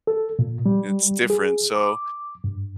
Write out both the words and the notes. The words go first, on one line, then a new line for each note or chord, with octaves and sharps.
It's different, so
A4
A#2
G3
G#4
D6
G2